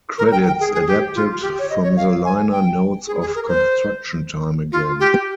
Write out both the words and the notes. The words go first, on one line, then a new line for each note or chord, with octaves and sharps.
Credits adapted from the liner notes of "Construction Time Again".
A#4
G5
G5
G#4
G#4
G4
F4
G4
C#5
D#5
C#5
F5
G#5
G5
G#4
G#4
A#4
C5
F4
G4